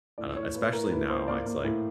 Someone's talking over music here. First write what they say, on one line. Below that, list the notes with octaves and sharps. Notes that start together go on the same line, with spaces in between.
I don't Especially now, it's like,
A2 D5
A2 C#5
A#3 B4
A2 A#4
A2 B4
A#3 C5
A#3 D5
A#3
A2